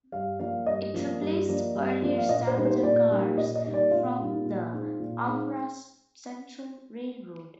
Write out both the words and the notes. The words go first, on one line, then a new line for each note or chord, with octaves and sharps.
It replaced earlier Stanga cars from the Umbra Central Railroad.
G2 F5
F3 A#3 D4 F5
G2 D#5
F3 A#3 D4
G2
F3 A#3 D4
G2
F3 A#3 D4
F5
A#2 D#5
C5
G3 A#3 D#4
C5
A#2 D5
G3 A#3 D#4
A#2 D#5
D#5
G3 A#3 D#4
D5
A#2 F4
G3 A#3 D#4
A#2
G#3 C4 D#4
A#2
G#3 C4 D#4